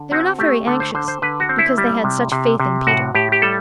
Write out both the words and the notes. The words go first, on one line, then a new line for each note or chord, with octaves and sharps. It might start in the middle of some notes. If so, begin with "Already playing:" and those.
They were not very anxious, because they had such faith in Peter.
Already playing: D3
C4 F#4
A3 G4
D3 A4
C5
D3 C5
C5
D3 B4
F#4
C4
E4
G3
C3
C3
C3
A2 F#4
A2 G4
G4
G3 A4